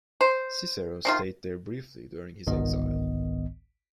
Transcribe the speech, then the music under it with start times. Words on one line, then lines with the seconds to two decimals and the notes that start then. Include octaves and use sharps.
Cicero stayed there briefly during his exile.
0.21 C5
1.05 C3 D#3 F4
2.47 G1 C2 G#2 D#3 B3 D#5